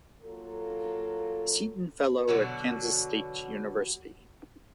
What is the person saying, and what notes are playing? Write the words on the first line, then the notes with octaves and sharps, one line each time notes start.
Seaton Fellow at Kansas State University.
F#3 A#3 F4 A4
B2 D3 F#3 F#4